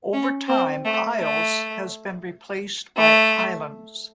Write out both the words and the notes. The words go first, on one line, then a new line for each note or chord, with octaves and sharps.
Over time "Isles" has been replaced by "Islands".
C#4
C4
A3
A3
A3